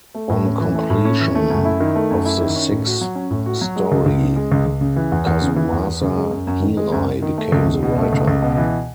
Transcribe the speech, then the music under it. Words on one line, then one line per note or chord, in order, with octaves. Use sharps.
On completion of the sixth story, Kazumasa Hirai became the writer.
A3
A2
C#4
E3
A3
A2
C#4
E3
A3
F#2
E4
D#3
A3
F#2
E4
D#3
C#4
A2
F#4
F#3
C#4
A2
F#4
F#3
G#3
C#2
C#2
C#3
G#3
C#2
C#2
C#3
E3
E2
E2
C#3
E3
E2
E2
C#3
G#3
F#2
F#2
D#3
G#3
F#2
F#2
D#3
A3
C#2
C#2
B2
A3
C#2
C#2
B2
E3